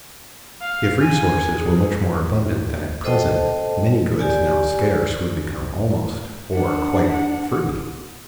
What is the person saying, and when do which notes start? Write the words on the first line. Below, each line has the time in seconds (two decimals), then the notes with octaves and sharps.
If resources were much more abundant than at present, many goods now scarce would become almost, or quite, free.
0.62 F5
1.01 G#5
1.56 G#4
3.04 A4 C5 D#5 G5 A5
4.19 G4 D5 G#5
6.52 D4 F#5